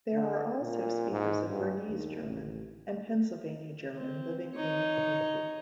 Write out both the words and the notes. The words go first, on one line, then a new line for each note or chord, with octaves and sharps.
There are also speakers of Bernese German and Pennsylvania German living in the community.
D3
A#2
G#2
G2
D#2
A1
C4
D#4 C#5